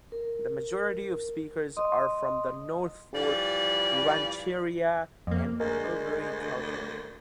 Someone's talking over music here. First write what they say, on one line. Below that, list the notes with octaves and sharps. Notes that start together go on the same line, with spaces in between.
The majority of speakers are from the Northfork Rancheria and Auberry, California.
A#4
D#5 C6 D#6
E3 F3 G3 D5
F2 A#3
D2 G#3 A#4